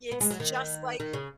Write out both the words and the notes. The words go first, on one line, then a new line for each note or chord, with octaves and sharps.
it's just like
B3
G#3
F#3
D#3
D#3
C#3